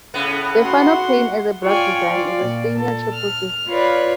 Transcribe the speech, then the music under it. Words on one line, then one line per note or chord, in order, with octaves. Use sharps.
The Fano plane, as a block design, is a Steiner triple system.
A2 C#3 B3
F#4 F#5 C6
F4 C#5 D5 G5 G#5
F4 D5
A#2
A4
F6
F4 B4 C#5 D5